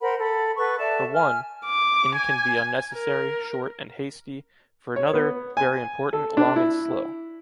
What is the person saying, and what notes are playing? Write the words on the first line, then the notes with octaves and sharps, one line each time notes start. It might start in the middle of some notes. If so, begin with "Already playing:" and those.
For one, in can be unnecessary, short and hasty, for another, very important, long and slow.
A#4 C5 F#5 B5
A4 B5
A4 B4 F#5 C#6
A4 D5 E5 A5
G#5 F6
D6
G#5
A#4
C#5
B3
G#5
A4
D4
E4